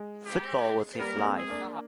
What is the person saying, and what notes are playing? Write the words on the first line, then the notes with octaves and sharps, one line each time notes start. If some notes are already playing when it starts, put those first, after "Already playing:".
Football was his life.
Already playing: G#3
G4
G3 A#3 A#4
A#3
G#3 C4
G#4
A#3 D4